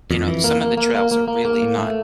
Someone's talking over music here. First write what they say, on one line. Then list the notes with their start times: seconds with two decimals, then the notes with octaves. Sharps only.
you know, some of the trails are really not,
0.11 F2
0.28 E3
0.44 A#3
0.61 A#3
0.77 A#3
0.95 A#3
1.12 A#3
1.28 A#3
1.45 A#3
1.62 A2
1.78 A3